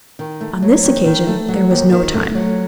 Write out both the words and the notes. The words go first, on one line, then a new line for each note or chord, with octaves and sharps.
On this occasion there was no time.
D#3
A3
F#3
D#2
D#3
A3
F#3
D#2
D#3
A3
F#3